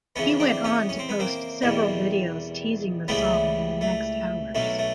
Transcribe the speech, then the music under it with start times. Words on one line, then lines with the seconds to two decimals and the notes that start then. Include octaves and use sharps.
He went on to post several videos teasing the song in the next hours.
0.16 F2 C#3 E3 B3 C#4
0.40 C4 D4
0.64 B3 C#4
0.89 C#4
0.99 C4
1.09 B3
1.19 A#3 C4
1.62 E2 B2 G3
3.08 C#2 C#3 E3 G3 A3 B3
3.81 A3
4.55 B1 B2 F#3 A3
4.79 A3